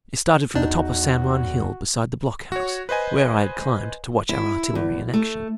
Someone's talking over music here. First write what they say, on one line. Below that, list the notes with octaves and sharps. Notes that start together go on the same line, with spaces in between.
It started from the top of San Juan Hill beside the block-house, where I had climbed to watch our artillery in action.
E2 D4 D#4 F#4
F#4 C#5
B4 C5 D#5 G#5
E4
E2
A3